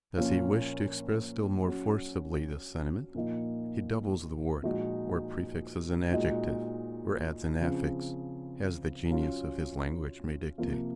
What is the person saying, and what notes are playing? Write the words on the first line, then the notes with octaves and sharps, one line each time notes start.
Does he wish to express still more forcibly this sentiment, he doubles the word, or prefixes an adjective, or adds an affix, as the genius of his language may dictate.
A#2 F3 A#3 C#4 F4
F#3 C#4 F#4
A#2 F3 A#3 D#4
A#2 F3 G#3 D#4 F#4
A#2 G#3 D#4 F#4
C#3 F3 C4
F#3 C#4 F4
C3 F3 A#3